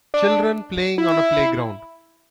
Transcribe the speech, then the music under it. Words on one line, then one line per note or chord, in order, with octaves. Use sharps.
Children playing on a playground.
D4
E4